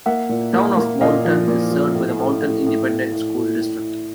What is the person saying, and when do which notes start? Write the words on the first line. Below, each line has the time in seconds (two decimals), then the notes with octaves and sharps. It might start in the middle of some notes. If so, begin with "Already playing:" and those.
The Town of Moulton is served by the Moulton Independent School District.
0.06 A#3 E5 F#5
0.29 A#2
0.53 A#3
0.77 A#3
1.01 A#2 D#5 F5
1.25 F3
1.48 A#2
1.71 F3
1.95 A2
2.19 A2
2.42 A2
2.66 A2
2.89 A2
3.13 A2
3.37 A2
3.61 A2